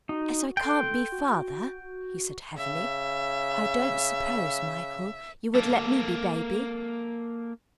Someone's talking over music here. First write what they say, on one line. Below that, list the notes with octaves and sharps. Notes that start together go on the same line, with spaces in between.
'As I can't be father,' he said heavily, 'I don't suppose, Michael, you would let me be baby?'
D#4 F#4
A4 G5 C6
F#4
C#3 E5
A#3 A4